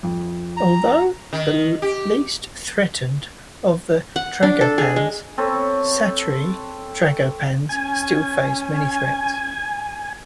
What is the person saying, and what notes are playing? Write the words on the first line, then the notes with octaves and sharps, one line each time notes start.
Although the least threatened of the tragopans, satyr tragopans still face many threats.
F2 F3
A#5
D#3
G4
F#5
D4
A4
G#4
G#3
C4 A4 B4 C#5
C#4 G#5